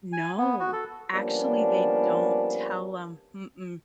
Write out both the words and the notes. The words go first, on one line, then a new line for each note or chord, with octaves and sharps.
No, actually, they don't tell 'em, mm-mm.
G#5
B3
F#4
A4
F3 G3 A#3 B3 C#4 D4